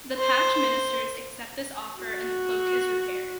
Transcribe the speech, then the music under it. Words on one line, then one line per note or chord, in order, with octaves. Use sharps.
The Patch ministers accept this offer and the cloak is repaired.
C5
F#4